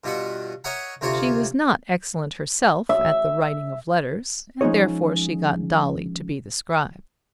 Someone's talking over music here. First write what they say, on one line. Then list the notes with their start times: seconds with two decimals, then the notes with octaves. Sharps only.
She was not excellent herself at the writing of letters, and therefore she got Dolly to be the scribe.
0.04 G2 B2 F4 E5 F#5
0.64 A#4 C#5 D#5 E5 F#5 A#5
1.01 D2 C3 C4 F4 C#5
2.89 E5
4.61 F3 G#3 C#4 D#4 G#4 C#5